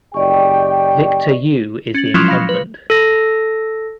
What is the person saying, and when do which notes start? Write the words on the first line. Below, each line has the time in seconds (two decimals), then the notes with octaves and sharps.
Victor Yu is the incumbent.
0.14 F#1 G4 D5 D#5 G5 C#6
1.94 C#4 A6 F#7
2.14 F3 F#3 G#3 C#4 E4 F4
2.28 F5 B5 A#6 C#7
2.49 B4
2.90 A4 A#6